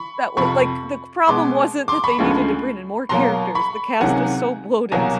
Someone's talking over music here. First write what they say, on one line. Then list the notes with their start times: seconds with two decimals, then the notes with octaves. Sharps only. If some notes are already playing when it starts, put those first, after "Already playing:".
That would like, the g problem wasn't that they needed to bring in more characters. The cast was so bloated,
Already playing: B5 C#6
0.37 F2 C3 F3 B5 C#6
1.27 B2 G#3 B3 C6 D6
1.88 C6 D6
2.04 B5 C#6
2.19 D2 C#3 F3 G#3
3.09 B2 F#3 A#3 A#5 C6
3.55 B5 C#6
4.00 C#2 C3 D#3 F#3 A#3 F#5 G#5
4.92 C2 B2 F#3 A#3 G#5 A#5